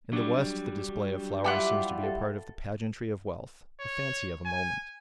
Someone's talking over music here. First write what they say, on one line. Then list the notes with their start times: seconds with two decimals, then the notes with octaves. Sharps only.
In the West the display of flowers seems to be a part of the pageantry of wealth,--the fancy of a moment.
0.13 F#3 G3 D4
1.44 E4 F4 G4 F#5
2.03 A4
3.80 C#5
4.46 G#5